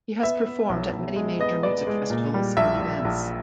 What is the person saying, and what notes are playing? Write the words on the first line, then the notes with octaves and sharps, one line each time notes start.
He has performed at many major music festivals and events.
B3 E5
B3
B1
B1
G#3
B3 D#5
B3 D5
G#3
A#2
G3
A#1 E5
A#1
A#1